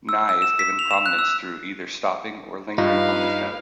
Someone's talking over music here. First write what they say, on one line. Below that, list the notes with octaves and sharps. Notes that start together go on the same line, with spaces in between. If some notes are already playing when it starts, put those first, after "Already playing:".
Ni is given prominence through either stopping or lingering on this note.
E6
E6
E7
B6
F7
E7
F#6
E6
G2 D#4 F4 B4 F5